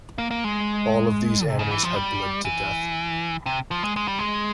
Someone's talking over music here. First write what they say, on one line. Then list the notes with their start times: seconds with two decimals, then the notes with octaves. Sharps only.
All of these animals had bled to death.
0.18 A#3
0.31 A#3
0.44 G#3
1.47 C3
1.59 C#3
1.71 E3
1.83 F3
1.95 G3
2.45 E3
3.46 C3
3.71 F3
3.84 G#3
3.96 G#3
4.08 G3
4.19 G#3